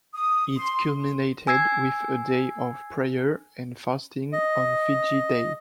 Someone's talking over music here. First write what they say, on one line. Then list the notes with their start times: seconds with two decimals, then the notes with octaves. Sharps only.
It culminated with a day of prayer and fasting on Fiji Day.
0.14 D#6
0.57 C6
1.47 G#5 E6 G#6 C7
4.33 D#5